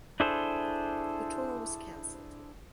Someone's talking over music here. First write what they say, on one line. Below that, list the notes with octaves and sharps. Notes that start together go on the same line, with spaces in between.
The tour was cancelled.
D4 E4 G#4 A4 C5